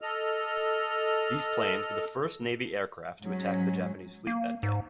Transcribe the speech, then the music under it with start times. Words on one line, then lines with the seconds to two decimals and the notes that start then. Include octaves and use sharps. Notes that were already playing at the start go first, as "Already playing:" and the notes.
These planes were the first Navy aircraft to attack the Japanese fleet that day.
0.01 A4 D#5 F6
3.22 G#2 F#3 C#4
4.27 A#3
4.63 G#2